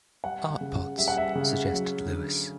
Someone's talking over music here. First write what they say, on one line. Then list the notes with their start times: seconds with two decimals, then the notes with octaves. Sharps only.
"Art pots," suggested Lewis.
0.24 G3 F#5
0.61 C#3
0.98 G3 E5
1.08 F#5
1.17 E5
1.35 C#3
1.73 F#3
2.09 D3